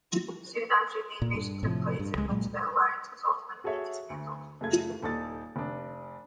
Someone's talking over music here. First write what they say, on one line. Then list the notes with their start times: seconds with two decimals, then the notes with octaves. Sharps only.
Soon after, "The Invasion" took place, in which The Alliance was ultimately dismantled.
1.22 A#2
1.35 G2
1.63 A2 C3 F3
1.99 G2
2.15 C#2 G#3
2.29 A#2 F#3 G#3
3.64 F#4 G#4 A4 C#5 E5
4.10 D2
4.61 F#2 C#3 A3 G#6
5.03 D#1 D#4 A4 D5 D#6 A6
5.56 F1 D4